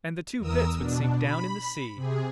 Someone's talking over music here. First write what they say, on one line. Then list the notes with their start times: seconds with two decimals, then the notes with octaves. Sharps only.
"And the two bits would sink down in the sea!"
0.39 E2 A#4 D#6 E6
0.78 B2 D4
1.20 B5
1.96 C3 G#4